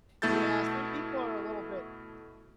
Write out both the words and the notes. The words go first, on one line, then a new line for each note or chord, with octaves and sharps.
Yeah, some people are a little bit
B2 A3 E4 A4 G6 A6